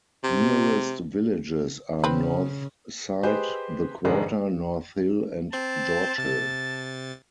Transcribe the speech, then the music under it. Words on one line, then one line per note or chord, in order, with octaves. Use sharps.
Nearest villages are North Side, The Quarter, North Hill and George Hill.
C3
C#3 C4 B4
G4 G#4 B4 C5 D#5 C6
F1 G#2 D#3 G#3 D4 A#5
C4 C5 A5
C3 A6